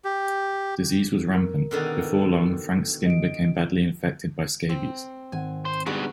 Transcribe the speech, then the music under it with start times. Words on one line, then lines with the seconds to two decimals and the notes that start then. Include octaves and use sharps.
Disease was rampant; before long, Frank's skin became badly infected by scabies.
0.04 G4
1.35 A#4
1.71 B2 D3 D#3
3.06 D#5 D7
4.69 C4
5.32 G#1 F#5 G#5
5.65 C5
5.86 G#2 D3 G3 G#3 B3 F#4